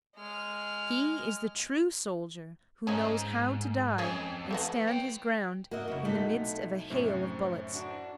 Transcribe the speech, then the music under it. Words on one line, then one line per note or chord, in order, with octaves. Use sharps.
He is the true soldier who knows how to die and stand his ground in the midst of a hail of bullets.
G#3 F6
G#2 C#4 D#4
F2 C#4 G#4
A3 B3 F#4
C#5 G5
A#3 F#4 A#4 D#5 E5
F#2 C#3 E4 F#4
B1 C3 A3 D#4 E4 F#4 A4 B6
F#2 A2 C3 C5
D4 F#4